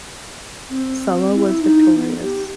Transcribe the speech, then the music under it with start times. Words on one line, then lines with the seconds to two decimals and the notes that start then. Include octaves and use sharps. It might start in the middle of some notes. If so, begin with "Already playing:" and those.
Sulla was victorious.
0.69 C4
1.34 E4
1.61 D#4
1.96 B3
2.21 G4